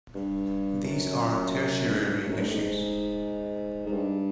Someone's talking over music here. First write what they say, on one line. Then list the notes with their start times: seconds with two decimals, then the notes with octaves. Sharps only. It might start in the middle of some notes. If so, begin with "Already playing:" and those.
These are tertiary issues.
0.15 G2
0.83 F#2
1.87 G2
1.96 G#2
2.04 G2
2.22 G2
2.29 F#2
2.38 G2
2.47 A2
2.55 G#2
3.86 G#2
3.93 G2